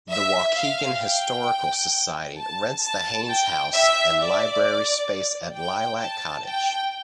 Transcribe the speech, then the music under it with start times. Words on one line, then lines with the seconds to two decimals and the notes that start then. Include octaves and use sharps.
The Waukegan Historical Society rents the Haines House and library space at Lilac Cottage.
0.11 E5
0.56 F5
1.01 G5
2.39 A5
2.84 A5
3.29 G5
3.75 E5
4.21 D5
5.57 G5
6.02 A5
6.48 G5